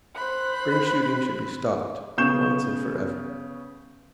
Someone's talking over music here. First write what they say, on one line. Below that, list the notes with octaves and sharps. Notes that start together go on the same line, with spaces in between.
Spring shooting should be stopped, at once and forever.
C5 B5 F#6
C#3 B3 C#6 G6 E7